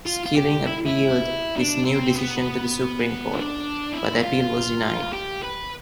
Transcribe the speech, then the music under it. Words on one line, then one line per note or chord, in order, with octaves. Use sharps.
Skilling appealed this new decision to the Supreme Court, but the appeal was denied.
F4
F4
G4
E4
E4
D4
C4
B3
D4
E4
F4
G4
B4